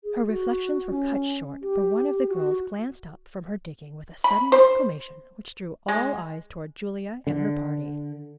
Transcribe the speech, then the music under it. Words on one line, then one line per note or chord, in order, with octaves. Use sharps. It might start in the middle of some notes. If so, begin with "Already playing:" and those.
Her reflections were cut short, for one of the girls glanced up from her digging with a sudden exclamation which drew all eyes toward Julia and her party.
G#4
F#4
C#4
G4
F#4
B5
C5
G#3
D3